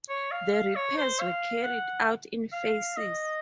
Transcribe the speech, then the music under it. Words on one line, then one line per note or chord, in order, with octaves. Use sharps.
The repairs were carried out in phases.
C#5
F5
F5
C#5
C5
F5
F#5
F5
D#5